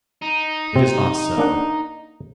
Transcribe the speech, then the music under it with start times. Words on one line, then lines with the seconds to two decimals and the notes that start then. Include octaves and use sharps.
It is not so.
0.22 D#4
0.76 C3 C4
1.38 A#3 D4 F#5